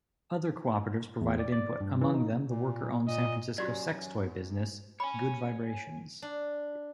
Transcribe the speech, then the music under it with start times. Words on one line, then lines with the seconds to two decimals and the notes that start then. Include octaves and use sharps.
Other cooperatives provided input, among them the worker-owned San Francisco sex-toy business Good Vibrations.
1.21 E2
1.39 D5
1.52 D5
1.80 G2
2.01 E3
2.14 D#4
2.48 A#2
3.07 A#2 D#5
3.58 F#2 F#4 G4 D5
5.00 C#5 G#5 B5
6.22 D4